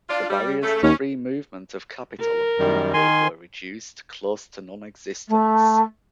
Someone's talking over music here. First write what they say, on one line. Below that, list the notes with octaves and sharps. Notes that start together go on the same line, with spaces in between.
The barriers to free movement of capital and people were reduced close to nonexistence.
D4 F4
G3
C#3 A3
D#2 C#4
A#4
F#2 D#3 G3
D#3 G#5 C6
A3